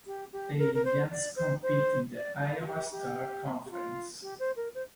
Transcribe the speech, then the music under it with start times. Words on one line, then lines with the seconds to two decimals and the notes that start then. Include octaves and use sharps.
The Indians compete in the Iowa Star Conference.
0.06 G4
0.32 G4
0.58 A#4
0.74 A#4
0.84 C5
1.10 D5
1.36 C5
1.62 C5
2.13 D5
2.40 D5
2.59 F4
2.66 G4
2.91 G4
3.65 G4
3.70 F4
4.22 G4
4.39 C5
4.56 A#4
4.74 C5